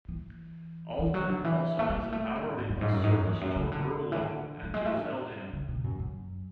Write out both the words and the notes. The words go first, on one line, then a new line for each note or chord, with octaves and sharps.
Aalten also has an hourly bus service to Ruurlo and to Zelhem.
E3
E3
F#3
D3
E3
A3
G#3
A3
G#3
A2
G#2
F#2
G#2
F#2
G#2
F#2
E2
F#2
C#3
D3
E3
D3
F#3
G#3
A3
D3
C#3
B2
F#2
F#2